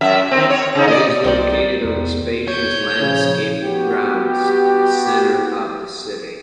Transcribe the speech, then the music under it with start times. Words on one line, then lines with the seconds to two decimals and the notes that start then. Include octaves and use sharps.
It is located on spacious landscaped grounds in the center of the city.
0.01 F#2 E5
0.31 D#3 C4
0.50 C#5
0.75 C#3 D#4
0.87 D5 D#5
1.24 C2 D#3 C5 D5
1.84 E2
2.48 C#5 G6
3.01 A#2 C#3 F3
3.61 B3 F#4 G4